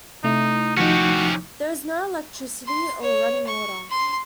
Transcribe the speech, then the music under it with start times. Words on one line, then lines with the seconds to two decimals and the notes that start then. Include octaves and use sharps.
There is no electricity or running water.
0.24 C3 A3 D#4 E4
0.77 D#2 F3 C#4 D#4 F#4 G4
2.67 C6
3.02 C#5
3.47 C#6
3.90 C6